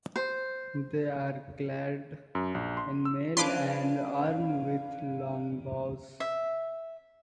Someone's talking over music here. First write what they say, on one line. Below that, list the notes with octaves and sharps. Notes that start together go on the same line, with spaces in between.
They are clad in mail and armed with longbows.
C5
F#2
A#1
C6
E6
F3 C#4 D4 B4 F5 C6 D6 D7
E5